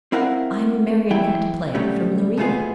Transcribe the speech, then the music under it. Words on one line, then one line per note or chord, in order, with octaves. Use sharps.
I am a marionette player from Lerida.'
C4 E4 A#4 F5 F#5
E2 F#3 E4 E5 G5
B2 D3 F#3 G3 A3 C#4
B2 G#3 A3 B3 F4 G#4